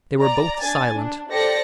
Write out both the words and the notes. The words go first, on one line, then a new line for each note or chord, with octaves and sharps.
They were both silent.
D5 A#5
D4 G#5 A6
D4
G4 A4 C5 D5 A#6 C#7